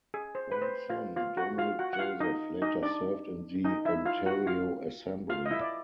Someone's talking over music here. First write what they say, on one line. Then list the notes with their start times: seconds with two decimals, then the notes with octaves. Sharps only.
One son Donald Joseph later served in the Ontario assembly.
0.14 G#4
0.35 C5
0.52 B4
0.62 C5
0.90 F4 F5
1.16 F4 F5
1.37 F#4 F#5
1.58 F4 F5
1.79 F#4 F#5
1.93 F#5
1.99 F4 F5
2.20 D#4 D#5
2.62 D#4 D#5
2.83 D4 D5
3.64 D#4 D#5
3.85 E4 E5
4.06 F4 F5
4.26 F#4 F#5
4.47 F4 F5
5.30 F4 F5
5.46 D#5
5.51 E4 E5
5.61 D5